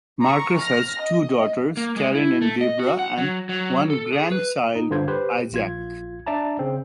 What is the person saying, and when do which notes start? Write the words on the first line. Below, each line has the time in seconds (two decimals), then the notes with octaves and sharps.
Marcus has two daughters, Karen and Debra, and one grand child, Isaac.
0.21 A#5 C#6
0.58 F6 A#6
1.01 D#5
1.77 A#3
1.97 G#3
2.15 E4
2.41 A3
2.61 D#5
2.79 F#4
2.99 F#5
3.18 F#3
3.49 F#3
3.90 A4
4.13 G#4
4.32 B4
4.75 D#4
4.90 G2 D3 F4 C5 G#6
5.08 G4 B4 C5
5.52 A#1 F4 G#6
6.26 D4 D5 E5 A5 A#5
6.59 C#3 C4